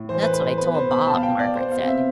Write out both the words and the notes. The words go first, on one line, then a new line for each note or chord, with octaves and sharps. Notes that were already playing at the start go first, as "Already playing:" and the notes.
"That's what I told Bob," Margaret said.
Already playing: A2
E3 C5
B4
A3 B4
C5
B3 B4
C5
B2
B5
B2 A5
F5
G5
B3
D5
B3 C5
F5
C3
E5